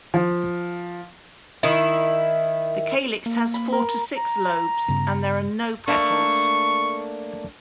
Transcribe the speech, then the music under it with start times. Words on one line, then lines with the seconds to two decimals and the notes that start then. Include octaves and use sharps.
The calyx has four to six lobes and there are no petals.
0.14 F3
1.63 D#3 E4
3.26 A#3
3.54 B5
3.72 A#4
4.17 A#5
4.88 G2 C#3 B3
5.87 A3 A#3 D4 C#6